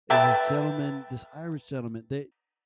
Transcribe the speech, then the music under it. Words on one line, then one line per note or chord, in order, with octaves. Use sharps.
is this gentleman this Irish gentleman, they
B4 E5 G5 A5